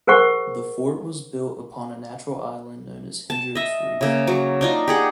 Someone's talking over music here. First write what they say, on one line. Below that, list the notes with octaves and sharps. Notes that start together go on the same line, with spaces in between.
The fort was built upon a natural island known as Hendrick's Reef.
G#4 A#4 C5 F#5 C#6
A5
D#5 E5
C#3 A#3
F#3
D4 D#4 F4
G4 G#4 F#5